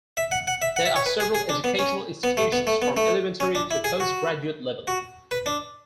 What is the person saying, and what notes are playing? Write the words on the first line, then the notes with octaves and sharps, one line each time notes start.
There are several educational institutions from elementary to post-graduate level.
E5
F#5
F#5
E5
F#5
E5
C#5
B4
G#4
G#4
D4
B3
C#4
B3
A3
B3
A3
B3
A3
C#4
D4
E4
G#4
F#4
F#4
B4
D4